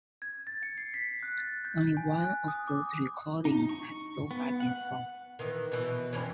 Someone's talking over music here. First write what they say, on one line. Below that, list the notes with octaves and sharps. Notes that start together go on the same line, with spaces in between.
Only one of those recordings has so far been found.
G#6
A6
C#7
C7
B6
F#6
A6
G6
G#5
F#6
D#6
D6
D#4
C#6
B3
F#5
D#3 E3
B2 E3
F2 E3 C#4